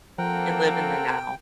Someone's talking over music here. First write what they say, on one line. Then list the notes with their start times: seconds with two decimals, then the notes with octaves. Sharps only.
and live in the now,
0.18 F3 A#3 C4 A4 A#4 F#5 G5